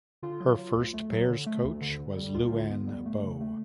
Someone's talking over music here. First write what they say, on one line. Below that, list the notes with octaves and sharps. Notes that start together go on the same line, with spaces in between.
Her first pairs coach was Luan Bo.
D3 F4
F#3
F#3
D2
A3
F#3
D3
A3
D2
D3
D3
G3
D2 F4
D3
B3
G3
A3
C#3
A3